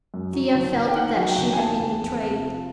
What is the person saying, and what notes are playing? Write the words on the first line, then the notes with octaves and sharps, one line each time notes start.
Thea felt that she had been betrayed.
F#2
F#3
D#2
D#2
G5
D#3 F#5
F#3
G5
D#2
G#5
F3 A5
E2
G#3
C3
F3